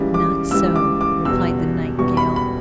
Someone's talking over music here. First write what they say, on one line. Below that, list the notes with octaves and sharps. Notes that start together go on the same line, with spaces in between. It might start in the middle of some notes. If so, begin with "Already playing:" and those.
"Not so," replied the Nightingale.
Already playing: C#2 C#3 E3 G3
D6
C#2 C#3 E3 G3 E6
D6
D6
E2 B2 G3 E6
E2 B2 G3 C#6
B5
B5